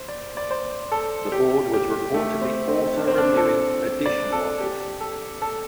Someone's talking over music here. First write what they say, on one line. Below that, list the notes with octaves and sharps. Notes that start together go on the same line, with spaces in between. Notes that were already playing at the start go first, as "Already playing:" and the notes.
The board was reportedly also reviewing additional offers.
Already playing: C5
D5
D5
C5
A4
G4
G4
A3
C4
C4
D4
C4
D4
A4
D5
A4
G4
A4
A4